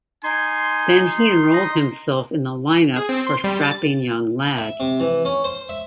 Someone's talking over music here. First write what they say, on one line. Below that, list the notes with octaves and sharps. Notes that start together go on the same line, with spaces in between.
Then he enrolled himself in the lineup for Strapping Young Lad.
D#4 G#5 C6
D#5
G#4
C4
C6
G3
A6
E5
C3
E3
C#4
C5
E5